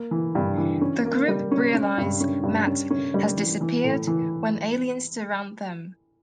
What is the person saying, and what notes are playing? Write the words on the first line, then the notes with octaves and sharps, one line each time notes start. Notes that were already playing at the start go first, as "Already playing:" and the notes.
The group realize Matt has disappeared, when aliens surround them.
Already playing: A#3
E3
G2
E3
C#4
A#3
G3
C#4
C#4
G2
C#4
G2
C#4
C#4
G3
E3
E3
A2
E3